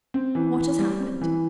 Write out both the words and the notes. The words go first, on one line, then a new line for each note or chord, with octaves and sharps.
What has happened?
C4
E3
E3
G3
C4
E3